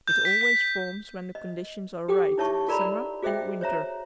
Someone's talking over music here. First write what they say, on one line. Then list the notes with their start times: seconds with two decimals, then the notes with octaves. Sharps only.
It always forms when the conditions are right, summer and winter.
0.08 G6
0.25 B6
0.41 B6
1.35 D#5
2.08 G4 A4 G5 D6
2.38 D#4 E4 C#5 E5 A5 C#6
2.68 F4 A4 A#4 D5 A#5 B5
3.23 F#4 G#4 C5 D#5 E5 G5
3.61 C5 C#5 E5 A#5